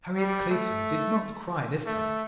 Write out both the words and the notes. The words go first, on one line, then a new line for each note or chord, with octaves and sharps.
Harriet Clayton did not cry this time.
G3
A3
A3